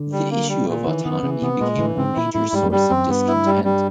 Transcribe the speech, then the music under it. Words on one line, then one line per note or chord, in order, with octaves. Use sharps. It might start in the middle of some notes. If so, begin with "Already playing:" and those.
The issue of autonomy became a major source of discontent.
Already playing: D3
G3
A#3
G3
A#2
D#3 E3
D#3 B3
C#3 E3
C3 B3
A#2 G#3
A2 E3
G#2 C4
A#2 E4
A2 E4
G#2 G3
F#2
G2 G3
F#2 C4
G2 B3
E4
G3
G3